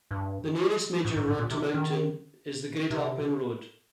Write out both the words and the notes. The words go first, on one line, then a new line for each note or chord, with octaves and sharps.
The nearest major road to mountain is the Great Alpine Road.
G2
G#2
G#2
G#2
A#2
C3
D#3
C3